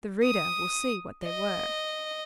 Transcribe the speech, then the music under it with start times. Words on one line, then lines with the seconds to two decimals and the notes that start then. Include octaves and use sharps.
The reader will see what they were.
0.23 D#6
1.24 D#5